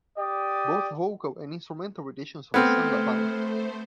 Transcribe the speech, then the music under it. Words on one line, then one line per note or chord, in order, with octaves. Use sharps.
Both vocal and instrumental renditions of the song abound.
G4 D5 D#6
A3 B3 C4 A4 C5 F6 G#6